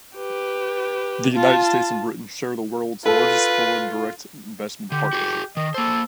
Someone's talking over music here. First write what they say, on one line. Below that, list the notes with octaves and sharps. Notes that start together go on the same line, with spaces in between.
The United States and Britain share the world's largest foreign direct investment partnership.
G4 B4
F4 A5
F4 A4 B4
D3 G4
F#4 G#4
D#3 D#5
A#3 A4 C5